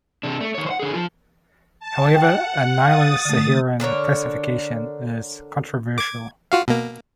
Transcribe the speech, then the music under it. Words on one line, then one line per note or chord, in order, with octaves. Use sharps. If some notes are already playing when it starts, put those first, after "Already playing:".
However, a Nilo-Saharan classification is controversial.
C3 D4
A3
D#3 C#5
C5 F#5
D3 G#4
F3 F4
A5
F#5 G5
F5 D#6 A6
D3 A3
D3 D4 A#4 C#5
D6 G#6
F4 F#4 F5
B2 A#3